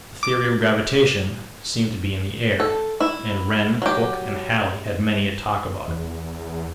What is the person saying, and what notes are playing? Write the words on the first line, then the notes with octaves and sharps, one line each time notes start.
The theory of gravitation seemed to be in the air, and Wren, Hooke, and Halley had many a talk about it.
D6
A4
E4
F#3 G4
E2